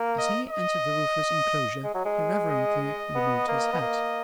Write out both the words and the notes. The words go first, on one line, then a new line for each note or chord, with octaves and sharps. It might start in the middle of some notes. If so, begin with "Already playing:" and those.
As he entered the roofless inclosure, he reverently removed his hat.
Already playing: A#3
D#5
D#5
G#3
F#3
G#3
D#5
B3
A#3
B3
A#3